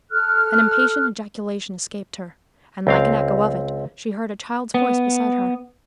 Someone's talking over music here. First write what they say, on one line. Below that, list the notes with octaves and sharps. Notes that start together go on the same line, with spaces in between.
An impatient ejaculation escaped her, and like an echo of it she heard a child's voice beside her.
A4 F6 F#6
C#2 C4 F5
B3